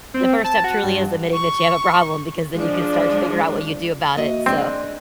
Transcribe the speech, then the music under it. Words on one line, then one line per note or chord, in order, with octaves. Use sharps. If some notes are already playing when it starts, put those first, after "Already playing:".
the first step truly is admitting that you have a problem because then you can start to figure out what you do about it, so
C4
A5
F#4
G2
C#6
F3 G#3 D4
A#3 F#4 D#5 E5
G#3 C4 D4 D5 C6